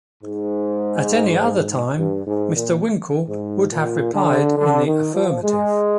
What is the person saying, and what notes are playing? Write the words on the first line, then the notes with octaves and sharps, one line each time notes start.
At any other time, Mr. Winkle would have replied in the affirmative.
G#2
G2
G#2
A#2
G#2
A#2
D3
D3
D#3
F3
G#3